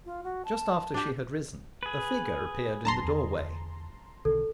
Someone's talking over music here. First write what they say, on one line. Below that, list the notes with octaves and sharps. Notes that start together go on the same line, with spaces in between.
Just after she had risen, a figure appeared in the doorway.
F4
F#4
A5
D4 G4
G#4 B4
F1 F#3 D4 A5 A#5 C6
E2 D3
B1 D3 D#3 A4